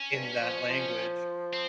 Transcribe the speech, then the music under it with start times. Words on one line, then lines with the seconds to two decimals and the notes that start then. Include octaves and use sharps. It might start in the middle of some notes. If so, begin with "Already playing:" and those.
in that language.
Already playing: C#4
0.13 G2
0.42 F3
0.69 F3
1.53 C4